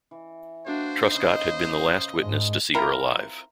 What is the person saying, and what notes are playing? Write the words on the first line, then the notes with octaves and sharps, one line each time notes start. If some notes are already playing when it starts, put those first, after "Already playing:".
Truscott had been the last witness to see her alive.
E3
A#3 D4 F#4 C5 E5 B5
C#3 D#4 D#5
G#2 G#3 D4
C4 E4 F4 A#4